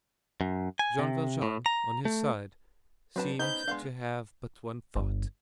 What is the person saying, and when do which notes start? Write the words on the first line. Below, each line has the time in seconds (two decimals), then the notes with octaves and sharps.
Jean Valjean, on his side, seemed to have but one thought.
0.41 F#2
0.79 G#5
0.99 C3
1.42 A2
1.66 A#5
2.05 A3
3.16 F#3 C4 D4 B4 A5
3.39 B3 C#4 D#4 C5 B5 G6
3.68 G#3 B3 D4 F5 C6
4.96 G1